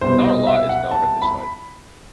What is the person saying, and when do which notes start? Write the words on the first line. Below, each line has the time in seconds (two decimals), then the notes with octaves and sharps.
Not a lot is known of his life.
0.01 C2 B2 G3 B3 C5
0.24 D#5
0.47 E5
0.69 F#5
0.91 A5
1.22 B5